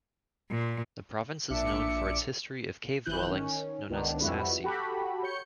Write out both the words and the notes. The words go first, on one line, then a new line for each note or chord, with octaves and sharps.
The province is known for its history of "cave dwellings" known as "sassi".
A#2
A#1 D4 E5 D6 C#7
G#1 E3 E4 F#6 G6
D#3 C#4
C#2 D#3 B3 D4
F2 G3 G#3 E4 F#4 B4
F#4 G4 A4 B5
C#5 G6 C#7